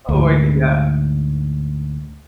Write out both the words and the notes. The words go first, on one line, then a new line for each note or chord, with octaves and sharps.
Oh my g Yeah.
D2 G#2